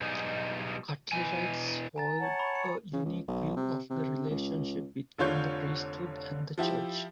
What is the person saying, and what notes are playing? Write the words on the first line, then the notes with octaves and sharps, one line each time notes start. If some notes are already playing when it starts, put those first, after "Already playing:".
Cutlerites hold a unique view of the relationship between the priesthood and the church.
B2 F#3 G3 D#4 G#4
B2 E3 G#5
G#5 A#5 A6
C#5 F#5 A5
A#5 B5 C#6
C#7
C#3
C#2
B1
C3
C3
C#2
F1 D3 F4 C#5 G6
F3 E4 G4